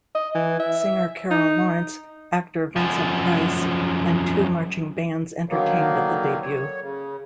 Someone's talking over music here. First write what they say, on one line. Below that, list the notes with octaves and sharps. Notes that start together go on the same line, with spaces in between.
Singer Carol Lawrence, actor Vincent Price, and two marching bands entertained at the debut.
D#5
E3
E5
D#4
F#2 F3
D3 D#3 F#3 A#3 B3
C#5
C#3